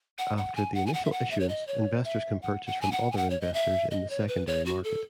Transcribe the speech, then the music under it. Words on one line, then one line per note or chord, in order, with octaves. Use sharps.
After the initial issuance, investors can purchase from other investors in the secondary market.
F#5
F#5
G#5
F#5
G#5
F#5
E5
F#5
E5
C#5
D#5
C#5
E5
F#5
F#5
G#5
F#5
G#5
F#5
C#5
D#5
E5
D#5
C#5
B4
C#5
F#4
A4